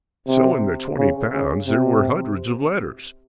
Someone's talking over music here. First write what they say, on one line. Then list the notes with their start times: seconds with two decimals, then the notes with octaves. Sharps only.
So in the twenty pounds there were hundreds of letters.
0.27 C3
0.98 C#3
1.33 C#3
1.67 C3